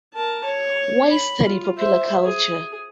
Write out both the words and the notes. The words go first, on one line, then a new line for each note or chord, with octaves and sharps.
Why Study Popular Culture?
A#4 A5
C#5
B5
F4
C5 E5
G#4